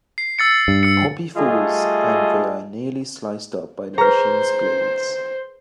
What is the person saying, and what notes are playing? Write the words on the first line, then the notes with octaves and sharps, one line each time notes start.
Poppy falls and they are nearly sliced up by the machine's blades.
C7
E6 A6 C#7
G2
E6 C#7
G3 A3 F4 G#4 A4 D#5
G#4 B4 C5 A#5